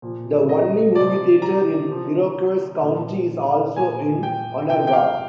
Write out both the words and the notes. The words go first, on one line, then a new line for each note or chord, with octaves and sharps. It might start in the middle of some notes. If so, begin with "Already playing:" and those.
The only movie theater in Iroquois County is also in Onarga.
A#2 F3
D#5
C3 F3 D5
A#5
C3 F3
A#2 F3
A#2 F3 G#5
G5
C3 F3 G5
G5
F5